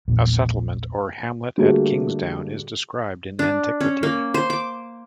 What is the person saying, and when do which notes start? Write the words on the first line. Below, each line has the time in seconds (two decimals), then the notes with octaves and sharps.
A settlement or hamlet at Kingsdown is described in antiquity.
0.08 A#1 E2 G2 A#2
1.58 D3 G3 A3 A#3 F#4 G#4
3.39 D4
3.81 C#4
4.03 A#3
4.34 C5
4.50 D6